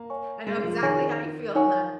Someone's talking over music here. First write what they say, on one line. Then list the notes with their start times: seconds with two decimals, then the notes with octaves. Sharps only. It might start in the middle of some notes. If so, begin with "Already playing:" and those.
I know exactly how you feel on that.
Already playing: A#3
0.10 C#5 G#5 C#6
0.47 G#3
0.64 F3
0.82 D#3 G#4 C#5 G#5 C#6
1.55 D#4 C#5 G#5 C#6